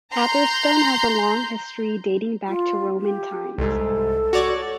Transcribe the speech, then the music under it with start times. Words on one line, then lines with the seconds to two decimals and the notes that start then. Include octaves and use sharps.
Atherstone has a long history dating back to Roman times.
0.12 A#5 C6 G6
2.48 F4
3.00 G4
3.58 C2 G#2 A4
4.33 F#4 C#5 D5